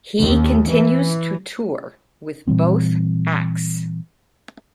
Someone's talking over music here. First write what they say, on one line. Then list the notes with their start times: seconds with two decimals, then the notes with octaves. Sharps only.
He continues to tour with both acts.
0.21 D#2
0.70 E3
2.48 A#2 E3 G3 C4